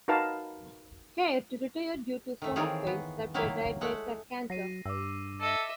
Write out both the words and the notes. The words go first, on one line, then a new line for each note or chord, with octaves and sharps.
Caird retired due to stomach pains that were diagnosed as cancer.
D#4 F#4 A#4 B4 F5 A5
D#3 A3
D#3 E3 C4 F4 G#4 C#5
B3
D#3 F#3 A#3 E4 F5
G#3 A3 F#5
F#3 A#6 C7 D#7
G2 D6 E6
A4 D#5 E5